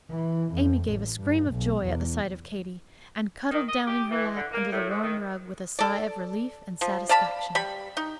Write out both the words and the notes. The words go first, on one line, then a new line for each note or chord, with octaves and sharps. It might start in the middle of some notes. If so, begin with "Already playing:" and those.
Amy gave a scream of joy at the sight of Katy, and cuddled down in her lap under the warm rug with a sigh of relief and satisfaction.
E3
F2
A1
G2
B1
E2
D#3
D#5
G4
E3
D3
A#3
A2
G#2
D#3
A4 D5
F3
D5 F5 A5 B5
G3 B5
D#4